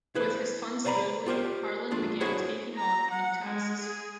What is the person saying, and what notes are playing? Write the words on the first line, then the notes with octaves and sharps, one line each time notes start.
With his funds dwindling, Harlan began taking on new tasks.
E4 G#4 B4 C5
B4 C5 D5 G5 A#5 B5
F4 G4 A#4 C5
A3 D4 F4 G#4
E4 F#4 G#4 C5 C#5 F#5
A#5
F#5
G#3
G#4